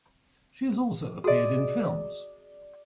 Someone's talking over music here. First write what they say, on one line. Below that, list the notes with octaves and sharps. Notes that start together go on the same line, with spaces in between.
She has also appeared in films.
F#4 G#4 D5 D#5 D#6